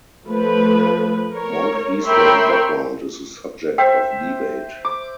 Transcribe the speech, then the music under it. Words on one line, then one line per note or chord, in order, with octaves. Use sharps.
Monk Eastman's background is a subject of debate.
F3 A3 B4
A#4 C#5
A#4 C#5 E5 G5 B5 C6
C5 E5 G5
D6